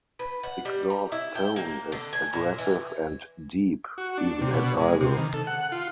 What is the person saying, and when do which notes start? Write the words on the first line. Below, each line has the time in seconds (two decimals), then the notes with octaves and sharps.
Exhaust tone is aggressive and deep, even at idle.
0.19 B4
0.43 F#5
0.65 G3
0.90 A#5
1.12 E4
1.35 G5
1.56 A#3
1.92 D3
2.13 G#5
2.33 A#2
2.58 E3
3.98 F#4
4.18 D4
4.41 C3
4.53 B2
4.79 G#3
5.01 C3
5.18 D#3
5.34 A4
5.47 F#5
5.72 F4